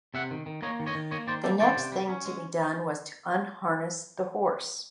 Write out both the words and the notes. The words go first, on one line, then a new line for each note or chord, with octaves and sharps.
The next thing to be done was to unharness the horse.
C3 E5 F#5
D#3
D#3
A#3 C#5 D#5
D#3
C#5 D#5
D#3
A#3 C#5 D#5
D#3 C5 D5
A#3 G4 A4
D#3 C5 D5
C3
G3
C#4
G#3